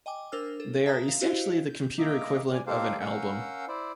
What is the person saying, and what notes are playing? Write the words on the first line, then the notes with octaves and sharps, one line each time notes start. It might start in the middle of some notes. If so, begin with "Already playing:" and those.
They are essentially the computer equivalent of an album.
D#5 G5 G#5 D6
D4 A#4 C5 E6 F6
A4
E5 A5 A#5 D#6
F5
E4 F#4 G4 C5 D#5 F5
G6
A#3 D#5 E5 A#5 D6
D5 G#5
A#3 D#4 G4 A4 C5 F5
C#4 A#4 F5 F#5 E6 G6
E4 C5 D5